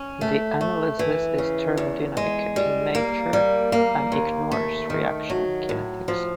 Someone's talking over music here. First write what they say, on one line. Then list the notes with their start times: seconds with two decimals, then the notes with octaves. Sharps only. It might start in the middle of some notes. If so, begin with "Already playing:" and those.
The analysis is thermodynamic in nature and ignores reaction kinetics.
Already playing: C#4
0.21 A3
0.61 A3
0.99 E3
1.38 C#3
1.77 E2
2.17 G#3
2.56 G3
2.95 A#3
3.33 G3
3.72 A#3
4.12 D#2
4.52 A3
4.90 D#3
5.30 F#3
5.69 A2
6.08 F3